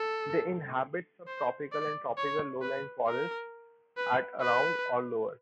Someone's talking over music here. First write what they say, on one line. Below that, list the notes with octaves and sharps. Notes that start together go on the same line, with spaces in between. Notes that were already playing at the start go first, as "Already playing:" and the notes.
They inhabit sub-tropical and tropical lowland forests at around or lower.
Already playing: A4
C5
D5
C#5
B4
A#4
B4
B4